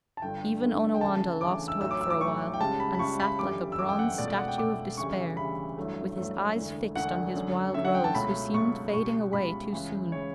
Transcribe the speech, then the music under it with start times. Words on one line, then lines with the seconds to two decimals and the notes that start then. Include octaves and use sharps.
Even Onawandah lost hope for a while, and sat like a bronze statue of despair, with his eyes fixed on his Wild Rose, who seemed fading away too soon.
0.17 A5
0.22 G1 G2 D3 G5
0.62 G1 G2 D3
0.95 G5
1.01 D2 C#3 E3 A5
1.41 D2 C#3 E3 D6
1.68 E6
1.81 B1 A2 F#3 E6
1.91 D6
2.01 E6
2.10 D6
2.20 B1 A2 F#3 C#6
2.54 G5
2.60 C#2 C#3 G3 A5
2.80 B5
2.95 B5
2.99 C#2 C#3 G3 C#6
3.20 B5
3.39 G1 F#2 E3 G3 D6
3.72 E6
3.79 G1 F#2 E3 G3 D6
3.89 G5
3.99 F#5
4.18 C#2 B2 A3 D5
4.28 D5
4.38 F#5
4.48 G5
4.58 C#2 B2 A3 D6
4.97 D2 C#3 E3 G3 C#6
5.37 D2 C#3 E3 G3 B5
5.77 A1 G2 F#3 A3
6.16 A1 G2 F#3 A3
6.56 E1 D2 D3
6.96 E1 D2 D3 F#5
7.36 F#2 D3 F#3
7.74 F#2 D3 F#3 E5
7.85 F#5
7.95 G5
8.04 A5
8.14 C#2 B2 F#3 A3 B5
8.54 C#2 B2 F#3 A3 C#6
8.94 C#2 B2 G3 C#6
9.33 C#2 B2 G3 B5
9.73 C#2 C#3 E3
10.12 C#3 E3 C#5